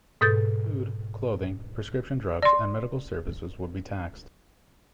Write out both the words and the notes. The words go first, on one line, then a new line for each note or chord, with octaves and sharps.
Food, clothing, prescription drugs and medical services would be taxed.
G#2 B2 A4 G6 A6
D5 C6